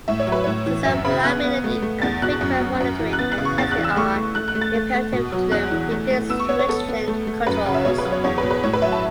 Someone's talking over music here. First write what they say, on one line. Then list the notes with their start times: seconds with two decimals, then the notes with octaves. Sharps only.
System reliability and frequent monitoring and testing are imperative to them meeting stringent controls.
0.08 A2 E5
0.20 C#5
0.27 F#3
0.32 B4
0.44 A2 C#5
0.66 E3
0.85 F#2 E5
1.05 C#3 B5
1.24 B3 F#6
1.44 B3
1.64 A3
1.82 A3
2.02 E2 A6
2.22 B2 F#6
2.41 F#2
2.60 F#3
2.81 F#2
2.99 E3
3.13 F#6
3.19 B3 A6
3.32 F#6
3.38 C#3
3.45 C#6
3.58 E2 A6
3.71 F#6
3.78 E3
3.84 E6
3.96 A3 C#6
4.16 A3
4.35 A3 F#6
4.48 F#6
4.55 A3
4.61 A6
4.75 A3
4.94 A3
5.13 B2
5.32 F#3
5.52 E2 F#6
5.71 E3
5.91 A3
6.11 A3
6.30 B3 E6
6.39 C#6
6.49 B3 C#5
6.59 C#5
6.68 B3 A4
6.89 B3
7.08 A3
7.27 A3
7.47 F#2 B4
7.66 C#3
7.74 E5
7.85 B2 C#5
7.98 B4
8.05 F#3
8.12 C#5
8.24 E2 C#5
8.38 B4
8.43 B2
8.51 B4
8.63 A2 C#5
8.73 B4
8.82 F#3 E5
8.92 A5